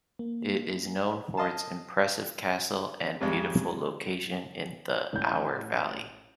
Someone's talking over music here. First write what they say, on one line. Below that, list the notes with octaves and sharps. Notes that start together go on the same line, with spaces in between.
It is known for its impressive castle and beautiful location in the Our valley.
A#3
D#5 F5 A5
G#1 F2 G3 G#3
A1 G6